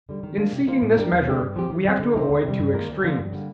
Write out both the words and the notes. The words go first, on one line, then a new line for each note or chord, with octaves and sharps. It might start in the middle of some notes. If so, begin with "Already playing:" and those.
In seeking this measure, we have to avoid two extremes.
D3 G3
D#3
A#3 D4
C3
D#3 A#3 F4 C5
A2
G3 D4 G4 A#4
D#2
D3 A3 D4 G4
G2
F3 C4 G4
D#3
G3 C4
D3
A3 D#4 G4 C5
D2
C3 G3
G2
D#3 A#3 F4 A#4
D2
D3 F3 A#3 D4
G2
D3 G3 A#3